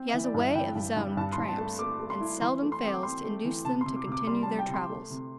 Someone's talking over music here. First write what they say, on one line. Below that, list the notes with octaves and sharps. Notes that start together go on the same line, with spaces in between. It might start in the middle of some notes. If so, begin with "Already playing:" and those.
He has a way of his own with tramps, and seldom fails to induce them to continue their travels.
Already playing: C4
E5
E3
D5
G2 E5
E3 G5
G2
G2
G2 A5
C6
G2
A5
A3
A3 D6
A3
C6
E4
E3 C6
A3
C6
C4
D6
C4 C6
A3
E3
C3 A5
C6
C3
D6
C3 D6
G3 C6
A5
G3
G5
C3 C6
A3
C3